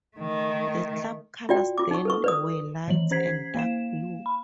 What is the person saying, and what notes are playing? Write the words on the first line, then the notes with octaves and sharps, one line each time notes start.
The Club colours then were Light and Dark Blue!
D#3 A3
F4 F#4 D5 G5
F4 D6
D#4 C#6
A4 B4 C#6
B4 D5 D#6
D#3 E3 F#3 F#7
C#4 C5 G#6 B6 C7
A#3 F5 E7
B5